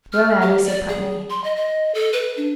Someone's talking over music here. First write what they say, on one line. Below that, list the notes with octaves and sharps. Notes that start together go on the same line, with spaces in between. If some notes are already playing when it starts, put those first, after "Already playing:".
"Well, Annie," said Putney.
F6
G4
D5
G#4
C6
D#5
D#5
A4
B4
D4